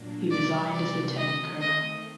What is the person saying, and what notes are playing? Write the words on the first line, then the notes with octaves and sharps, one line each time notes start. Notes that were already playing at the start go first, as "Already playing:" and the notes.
He resigned as Lieutenant colonel.
Already playing: A#2 F#3 A#3 D4
C3 G3 C4 F#4 D5
D5
D#3 A3 C4 D#5
D#5